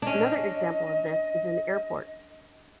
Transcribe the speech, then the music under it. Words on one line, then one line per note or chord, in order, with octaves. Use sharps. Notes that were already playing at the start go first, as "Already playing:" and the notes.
Another example of this is in airports.
C#4 D4 D#5